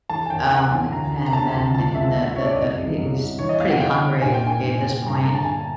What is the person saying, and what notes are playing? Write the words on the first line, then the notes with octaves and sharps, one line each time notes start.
um, and then in the the the he he's pretty hungry at this point,
E3 A5
G#5
D#2 G5
C#3 F#5
E3 G#5
D2 A#5
D3
A#5
D3 A5
D2
C#2 A5
C#2 E5
C#2 E5
E5
C#3 C#5
D5
C2 D#5
C2
C2
C2
E3 C#5
D#5
E2 F5
F#5
E2 G5
C#3
A#2 G#5
G5
A#2 G#5
A#2
A#2
G2 A#5
A5
D3 A#5
A5
D3 G#5